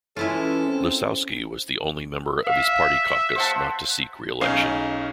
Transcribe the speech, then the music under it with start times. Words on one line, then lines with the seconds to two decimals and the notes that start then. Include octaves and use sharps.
Lisowsky was the only member of his party caucus not to seek re-election.
0.17 E3 G#3 C#4 E4 F4 A4 B4 C#5
0.68 C4
2.46 E5 F5
3.35 C5 F#5 A5
4.41 B1 C#4 D#4 G#4 F5 C7